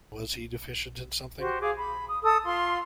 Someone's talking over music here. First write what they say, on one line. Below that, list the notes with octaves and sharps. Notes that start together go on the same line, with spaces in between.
Was he deficient in something?
F#4 G4 C5
G#4 F5 D6
B5
D#6
A4 D#6 E6
F4 C6